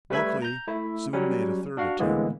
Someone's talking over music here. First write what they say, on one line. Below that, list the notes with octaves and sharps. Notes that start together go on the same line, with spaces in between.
Bulkeley soon made a third attempt.
G3 A3 B4 E5 B5 G#6
A#5 G6
A3 E4
F#3 G3 C#4
D4 F#4 F5
A2 D3 E3 G#3 A#3 B3